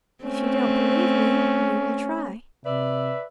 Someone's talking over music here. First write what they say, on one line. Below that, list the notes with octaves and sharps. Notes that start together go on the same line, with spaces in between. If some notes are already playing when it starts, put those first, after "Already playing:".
If you don't believe me, we will try.
A3 C4 C#4
C3 B4 D5 E5